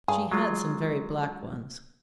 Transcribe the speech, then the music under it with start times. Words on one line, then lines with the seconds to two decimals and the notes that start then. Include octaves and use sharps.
She had some very black ones.
0.08 G2 G#4
0.32 F#3 G#3 F4